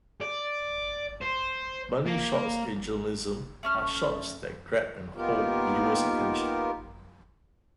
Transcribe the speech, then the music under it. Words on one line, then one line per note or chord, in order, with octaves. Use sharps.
Money shots in journalism are shots that grab and hold viewers' attention.
D5
C5
A#3
A3 C#4 F6
A#3 B3 D#4 F4 G4 A#4